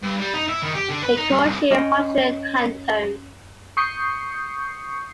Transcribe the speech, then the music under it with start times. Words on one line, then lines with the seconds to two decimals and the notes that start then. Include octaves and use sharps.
In Coleshill Hundred Hantone.
0.03 G2
0.20 G3
0.34 D#4
0.48 E4
0.63 D#3
0.75 G4
0.90 D3
1.03 B4
1.17 D#4
1.30 G2
1.44 C2
1.70 C#4 D#5 G5
3.77 C#6 D#6 G6 C7 C#7